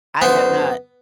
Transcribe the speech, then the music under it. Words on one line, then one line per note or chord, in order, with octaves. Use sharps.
I have not.
F#2 D3 B3 C5